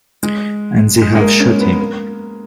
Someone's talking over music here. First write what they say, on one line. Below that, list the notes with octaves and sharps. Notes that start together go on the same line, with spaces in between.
And they have shot him.
G#3
G#3
G#3
A#3
C#4
B3
A#3